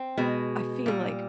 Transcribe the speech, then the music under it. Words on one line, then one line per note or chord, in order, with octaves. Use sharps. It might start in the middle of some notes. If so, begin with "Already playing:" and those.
I feel like
Already playing: C4
B2 G#3
A#2 G3